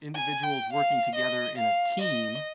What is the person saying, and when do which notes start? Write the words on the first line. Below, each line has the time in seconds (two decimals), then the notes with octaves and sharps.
individuals working together in a team
0.15 G#5
0.44 G5
0.73 F5
1.15 D#5
1.58 F5
2.01 D#5